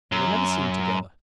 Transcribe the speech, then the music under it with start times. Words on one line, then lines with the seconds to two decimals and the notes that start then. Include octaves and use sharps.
They were never seen together.
0.12 F#2